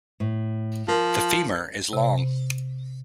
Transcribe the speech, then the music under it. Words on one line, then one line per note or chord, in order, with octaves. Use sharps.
The femur is long.
A2
F3 A#4
C3